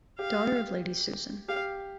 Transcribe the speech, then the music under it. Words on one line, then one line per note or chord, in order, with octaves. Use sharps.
Daughter of Lady Susan.
G4 F5
G4 F5